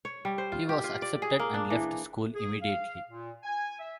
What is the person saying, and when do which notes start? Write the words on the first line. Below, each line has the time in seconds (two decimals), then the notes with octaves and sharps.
He was accepted and left school immediately.
0.05 C#5
0.25 G3
0.38 C5
0.52 F4
0.69 G4
0.84 F4
1.02 D5
1.22 G#4
1.39 A#3
1.54 D4
1.70 E3
2.35 G#4
2.62 F5
3.09 A#2
3.43 G#5
3.79 E5